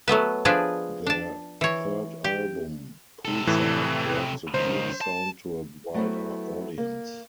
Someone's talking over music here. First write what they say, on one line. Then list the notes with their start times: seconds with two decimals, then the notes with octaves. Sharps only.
Their third album, "Poolside", brought the group's sound to a wider audience.
0.08 F#3 A3 B3 B4
0.45 F3 D4 G#4 B4
1.06 D4 A5
1.61 E3 C#5
2.24 G4
3.25 C3 A4
3.47 A2 E3
4.54 C#2 D#3 C5
5.01 A5
5.94 F#3 A3 B3 C4 E4
6.78 A#3